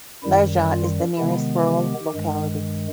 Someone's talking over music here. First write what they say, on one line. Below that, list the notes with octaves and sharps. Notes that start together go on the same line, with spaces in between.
Lezha is the nearest rural locality.
F#2 D#3 G3 E4
F4
C3 D#3 G#3 B3 E4
G4
G2 D#3 G#3